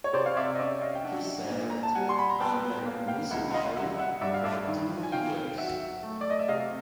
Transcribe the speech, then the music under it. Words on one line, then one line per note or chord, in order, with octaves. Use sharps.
He served under Mizumori for three years.
C#5
C3 C5 D5
F5
D5 E5
D#5
C#4 D5 E5
D#5 F5
G5
D4 E5 F#5
A#2
A#5
A5
G3 F#5 G#5
C6
B5
A#5
B3 G5 A5
A#3
F5 G5
C#2 E5 F#5
D#5 F5
G3 E5 F#5
E5 F#5
G2 D5 E5
F5
D5 E5
D#3
G#5
D#3 F5 G5
F#3 E5 F#5
A3
D5
D#5
E5
C3 D#5 F5